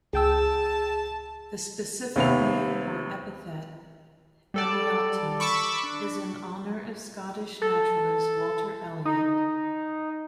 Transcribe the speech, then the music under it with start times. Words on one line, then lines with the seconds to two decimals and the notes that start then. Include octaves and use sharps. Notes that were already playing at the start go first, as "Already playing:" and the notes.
The specific name or epithet, "ellioti", is in honor of Scottish naturalist Walter Elliot.
0.13 C#2 G#4 G5 A5 E6
2.16 D#2 C3 B3 C5 E5 F7
4.54 G3 A4 D5
5.40 B5 C#6 D6 E6 A6
5.83 D4
7.62 A4
9.05 D#4